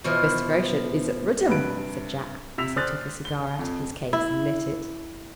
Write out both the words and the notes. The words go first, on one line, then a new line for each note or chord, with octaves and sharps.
"Mr. Groschut is at Rudham," said Jack, as he took a cigar out of his case and lit it.
B2 E3 F3
G2 C3 B4 D7
C3 E6 B6 F7
C5 D5 D#6 F6 F#6 A6
G7
F2
E4